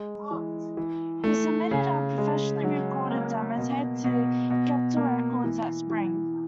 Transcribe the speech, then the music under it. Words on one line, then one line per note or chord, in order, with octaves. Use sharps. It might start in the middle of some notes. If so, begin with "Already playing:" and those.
He submitted a professionally recorded demo tape to Capitol Records that spring.
Already playing: G#3
E3
E3
A3
C#3
G#3
F#3
A#3
B2
B2
B2
A#3
E3
E3